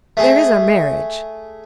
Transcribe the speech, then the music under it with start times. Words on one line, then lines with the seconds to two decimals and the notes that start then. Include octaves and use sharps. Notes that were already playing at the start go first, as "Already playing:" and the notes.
There is our marriage....'
0.17 A3 G#4